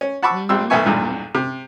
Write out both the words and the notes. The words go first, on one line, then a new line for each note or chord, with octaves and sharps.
Mhm, mhm.
C#4
F#5 A5 B5 C#6 D6 E6
A#1 G3 C4 E6
B1 A3 B3 E5 G#5 C#6
B1 E2 G2 A#2
C3